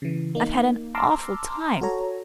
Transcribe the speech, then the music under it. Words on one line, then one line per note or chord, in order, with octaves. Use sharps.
I've had an awful time.
C#3 E3
A#3 D#4
A5 A#5 C6 D6 E6 F6
F#4 A4 C#5 A#5